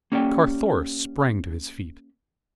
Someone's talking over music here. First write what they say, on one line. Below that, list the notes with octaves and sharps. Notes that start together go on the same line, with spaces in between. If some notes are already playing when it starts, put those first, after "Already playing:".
Carthoris sprang to his feet.
A#3 C#4 G4 D5 G5